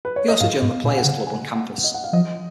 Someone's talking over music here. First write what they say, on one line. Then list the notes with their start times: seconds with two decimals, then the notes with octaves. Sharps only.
He also joined the Player's Club on campus.
0.05 B4
0.16 C#5
0.28 D#5
0.40 G#2 F5
0.62 G#2
0.84 A#2
0.90 G#5
0.98 F#5
1.05 C#3
1.27 G#5
1.55 F#5
1.84 D#5
1.94 F#5
2.04 F5
2.13 F3 D#5